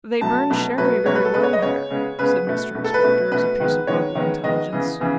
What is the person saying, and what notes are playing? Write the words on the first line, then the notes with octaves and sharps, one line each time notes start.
'They burn sherry very well here,' said Mr Inspector, as a piece of local intelligence.
B2 F#3 A3 A5
B2 F#3 A3
B2 F#3 A3 B4
B2 F#3 A3 C#5
B4
A4
C#3 G#3 B3 B4
C#5
D#5
C#3 G#3 B3 C#5
C#3 G#3 B3
C#3 G#3 B3 B4
B2 A3
B2 A3
A4
B4
B2 A3
B2 A3 B4
D#3 G#3 B3
D#3 G#3 B3 C#5
D#3 G#3 B3
D#3 G#3 B3 D#5
C#3 E3 B3
C#3 E3 B3